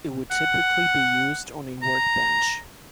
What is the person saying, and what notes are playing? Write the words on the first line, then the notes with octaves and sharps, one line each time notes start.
It would typically be used on a workbench.
F#5
A#5